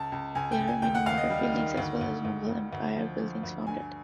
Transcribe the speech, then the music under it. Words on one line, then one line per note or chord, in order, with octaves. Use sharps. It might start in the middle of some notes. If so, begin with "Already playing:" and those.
There are many modern buildings as well as Mughal Empire buildings founded.
Already playing: C#2 A5
C#2
C#2 G#5
G5
C#2
G#5
D#2 G5
F#5
D#2 F5
D#5
G3
D#3
D2
D2
D2
D2
D2
F3
F3
D2
G2 G#5